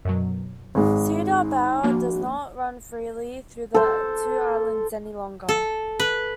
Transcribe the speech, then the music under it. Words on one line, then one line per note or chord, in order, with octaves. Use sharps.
Cedar Bayou does not run freely through the two islands any longer.
F#2 B2 F#3
G#1 G#3 D#4
F3 A#3 D4 F#4
A4 C5
A4
B4